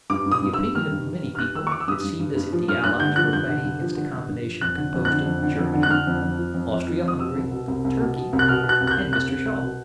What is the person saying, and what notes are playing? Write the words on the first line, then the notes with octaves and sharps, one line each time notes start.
In the opinion of many people, it seemed as if the Allies were fighting against a combination composed of Germany, Austria-Hungary, Turkey, and Mr. Shaw.
G2 D6
G2
D#6
G2
G2 E6
D#3 F6
G2
D#3
G2
F6
G2 F#6
D#3 E6
C#6
D#3 D6
E6
G2 D#6
G2
G2
G2
F3
G2 F6
G2 F#6
D3 G6
F3 F#6
G2 G6
D3
G2
F3
D3
G2
G2
F3
F2 F#6
D3
F2
F#6
D3
F2
D3
F2
D3
F#6
D3 F6
F2
F2
F3
F2
F2
F3
F2 D#6
B2 E6
C2
B2
C2
C2
B2
B2
C2
F#6
B2 F6
B2
F#6
C2
F#6
G6
C2
C2 F#6
C2
C2
B2